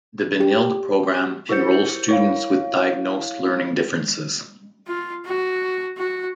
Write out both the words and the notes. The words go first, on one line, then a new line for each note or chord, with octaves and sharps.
The Benilde Program enrolls students with diagnosed learning differences.
G4
E4 G4 C5 G6 C#7
E4 C#5 F5
F4
F#4
F#4